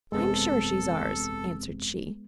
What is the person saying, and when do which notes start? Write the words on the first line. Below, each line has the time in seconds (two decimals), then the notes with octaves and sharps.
"I am sure she is ours," answered she.
0.12 F#1 E2 C3 G#3 B3 A4